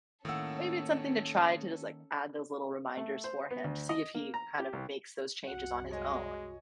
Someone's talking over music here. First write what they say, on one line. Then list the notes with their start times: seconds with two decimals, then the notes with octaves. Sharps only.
maybe it's something to try to just add those little reminders for him to see if he kind of makes those changes on his own.
0.25 A2 D#3 A#3 C#4 A4 F#5 E6
2.97 A3
3.24 C5
3.51 B3
3.64 D2
3.89 D#5
4.15 A#3
4.34 A#5
4.60 G4
4.73 C2
5.47 C2 F#2 C3 F#4 F#5
5.91 G#3 C#5 D#5 G#5